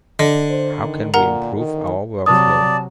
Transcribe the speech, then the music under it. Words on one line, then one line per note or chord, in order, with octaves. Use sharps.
How can we improve our workflow?
D3 D#5
C5
D#3
A#2 A#4 F#5 A#5
D#3
C3 F#3 D5 A5 D#6